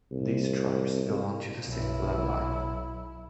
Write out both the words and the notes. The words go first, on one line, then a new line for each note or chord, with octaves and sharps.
These tribes belong to the same blood line.
C2
B1 E4